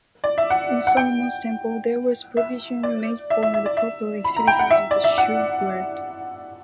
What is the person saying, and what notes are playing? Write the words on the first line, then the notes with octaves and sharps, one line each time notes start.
In Solomon's Temple, there was provision made for the proper exhibition of the shewbread.
D5
E5
F#5
F#5
G5
E5
D5
E5
E5
E5
D5
E5
B5
A#5
G5
F#5
E5
D5
E5
F#5